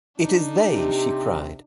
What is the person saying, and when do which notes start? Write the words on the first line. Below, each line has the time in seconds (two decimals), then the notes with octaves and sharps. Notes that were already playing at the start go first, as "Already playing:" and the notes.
"It is they," she cried.
0.19 D4 D#4
0.69 C3 G4